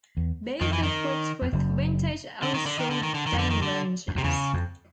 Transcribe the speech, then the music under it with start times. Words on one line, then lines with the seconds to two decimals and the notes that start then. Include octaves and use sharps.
Both are equipped with vintage Austro-Daimler engines.
0.17 E2
0.61 F2 D#3
0.73 E3
0.83 D#3
1.42 F2
1.52 F#1 F#2
2.42 D3
2.54 D#3
2.66 D3
2.79 D#3
2.91 D3
3.03 D#3
3.14 D3
3.26 D#3
3.33 F2
3.39 D3
3.50 D#3
3.62 D3
4.08 F#2
4.15 F2 C3
4.24 E2 C#3
4.54 F2